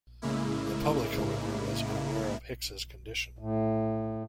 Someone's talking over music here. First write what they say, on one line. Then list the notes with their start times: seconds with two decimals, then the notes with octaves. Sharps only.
The public, however, was unaware of Hicks's condition.
0.22 A2 C#3 G#3 A#3 E4
3.39 A2